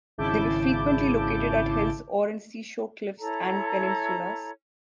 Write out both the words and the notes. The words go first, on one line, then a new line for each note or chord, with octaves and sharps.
They were frequently located at hills, or in seashore cliffs and peninsulas.
G#1 C#3 E4 A5 D6 G6
E4 A4 C#5 A#5